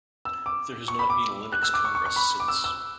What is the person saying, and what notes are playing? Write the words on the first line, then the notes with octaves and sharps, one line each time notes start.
There has not been a Linux Kongress since.
E6
D6
C#6
B5
D6
F#6
E6
D6
C#6
C#6
C#6
B5
D6
E6
E6